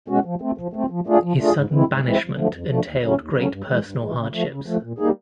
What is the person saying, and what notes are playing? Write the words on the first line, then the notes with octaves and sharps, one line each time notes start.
His sudden banishment entailed great personal hardships.
B2 G#3 C#4 F#4
F3
A3 C4
F3
A3 C4
F3
A3 D4 F4 G#4
F3
A3 D4 F4 G#4
G#2
E3 G#3 C4 E4
G#2
E3 G#3 C4 E4
F2
D3 F3 A3
F2
D3 F3 A3
D#2
C#3 F#3 A3 C#4
D#2
C#3 F#3 A3 C#4
G2
E3 G#3
G2
E3 G#3
C#3
F3 A3
C#3
F3 A3
A#2
G3 A#3 D#4 G#4